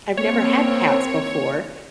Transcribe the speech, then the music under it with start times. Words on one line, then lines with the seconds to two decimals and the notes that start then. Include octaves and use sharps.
I've never had cats before,
0.17 A#3 C4 C#5